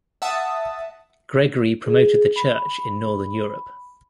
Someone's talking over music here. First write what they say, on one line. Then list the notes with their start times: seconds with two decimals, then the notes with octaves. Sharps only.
Gregory promoted the Church in northern Europe.
0.22 E5 F#5 A5 D#6
1.86 G#4
2.36 B5